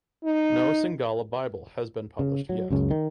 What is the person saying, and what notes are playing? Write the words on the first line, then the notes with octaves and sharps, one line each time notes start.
No Tshangla Bible has been published yet.
D#4
C#3
F#3
C#2 F#2 C#3
D#3